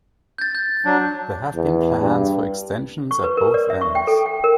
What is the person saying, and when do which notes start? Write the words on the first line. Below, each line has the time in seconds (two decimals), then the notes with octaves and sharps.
There have been plans for extensions at both ends.
0.38 G6 A6
0.55 G6
0.85 F#3 D4
1.55 E2
2.01 G2
3.11 C#6
3.24 B4
3.37 A#4
3.54 D5
3.70 E5
3.81 C#6
3.95 G5
4.07 A4
4.26 G5
4.44 A#4